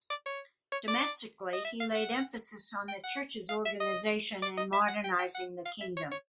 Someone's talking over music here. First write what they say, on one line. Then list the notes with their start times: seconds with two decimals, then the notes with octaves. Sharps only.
Domestically he laid emphasis on the church's organization and modernizing the kingdom.
0.10 D5
0.26 C#5
0.72 C#5
0.88 D5
1.53 D#5
1.65 E5
1.80 F5
1.95 F#5
2.88 G5
3.04 F#5
3.49 F5
3.65 E5
3.80 D#5
4.42 D5
4.57 D#5
4.73 E5
4.88 F#5
5.04 G5
5.19 G5
5.35 F#5
5.65 F5
5.80 E5
5.97 C#5
6.12 C#5